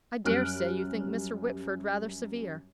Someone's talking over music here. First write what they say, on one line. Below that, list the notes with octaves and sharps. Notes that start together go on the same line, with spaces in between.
I dare say you think Mr. Whitford rather severe.
F#2 G3 F6 F#6 D7